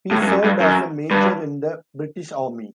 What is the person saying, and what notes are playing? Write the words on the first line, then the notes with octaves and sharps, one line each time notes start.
He served as a Major in the British Army.
A2
G2
F#2
G2
F#2
G2